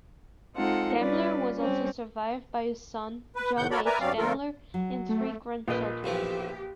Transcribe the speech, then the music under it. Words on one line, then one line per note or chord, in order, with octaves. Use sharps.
Demmler was also survived by a son John H. Demmler and three grandchildren.
G#3 C4 D#4 F4 A4 F#5
G3 C#4 F4 B4 D5
G3 C4 C#4
B4
A2 C3 D#3 F#5 G6
F#4 A4 A#4 C#5 D5 B5
A#4 B4 D5 E5 G#5 A#5
G2 F#3 C4 C#4 D5 F5
D3 F3 A3 F4 A4 A#4
F#3
A3
A#1 F4 A#4 B4 D#5
B1 E3 F3 G4